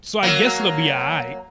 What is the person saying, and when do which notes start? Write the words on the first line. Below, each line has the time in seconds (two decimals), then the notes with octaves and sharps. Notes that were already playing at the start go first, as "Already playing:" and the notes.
So I guess it'll be aight."
0.23 F#3 A#3